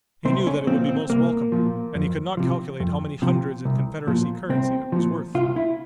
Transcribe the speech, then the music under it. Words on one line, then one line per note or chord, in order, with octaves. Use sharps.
He knew that it would be most welcome, and he could not calculate how many hundreds in Confederacy currency it was worth.
C2 C4
C#4
A#2 F3 C4
C4
C2 A#3
A#2 F3
F2
C3 F3
F2
C3 F3
C2
A#2 F3
C2 C4
A#2 F3
C2 F4
E4